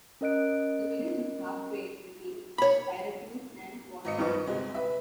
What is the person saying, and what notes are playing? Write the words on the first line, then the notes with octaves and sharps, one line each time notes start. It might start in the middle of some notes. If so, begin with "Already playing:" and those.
The village is halfway between Syracuse and Watertown.
C#4 A#4 D#5 F#6 D7
C#5 B5
G#1 D#5 C#7
G2 D#3 F3 D#4 B4 C#6
D#5
G1 C3 G#3 F#4
B4 E5